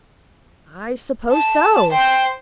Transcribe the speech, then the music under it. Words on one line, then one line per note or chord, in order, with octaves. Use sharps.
'I suppose so.
A5
C5 G5